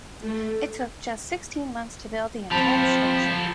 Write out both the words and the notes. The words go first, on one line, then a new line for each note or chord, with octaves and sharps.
It took just sixteen months to build the entire structure.
A3
F3 C4 G4 A4 A5 B5 A6